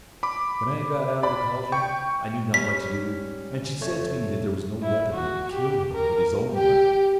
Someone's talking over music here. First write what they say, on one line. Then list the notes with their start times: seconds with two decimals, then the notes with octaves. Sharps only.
When I got out of the caldron I knew not what to do; and she said to me that there was no weapon that would kill him but his own weapon.
0.23 B5 D6
1.23 D5 B5
1.72 G5 C#6
2.54 G3 C#4 B6
3.81 F2 A3 C#5
4.82 E4
5.13 F#4
5.53 G4
5.93 A#4
6.54 G4